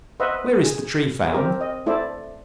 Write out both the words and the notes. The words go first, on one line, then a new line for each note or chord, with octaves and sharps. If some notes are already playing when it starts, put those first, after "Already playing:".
Where is the Tree found?
B4 C5 D#5 E5 F#5
G#4
C4 G4 A#4
D#5
A3 E4 A4 C5 D5 A5